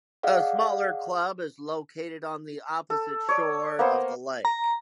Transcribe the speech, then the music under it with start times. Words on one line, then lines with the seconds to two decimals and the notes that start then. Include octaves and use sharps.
A smaller club is located on the opposite shore of the lake.
0.23 G#4 D5 D#5 F5 F#5
2.90 A4
3.29 C#5 D5
3.79 A#3 B3 C5
4.45 A#5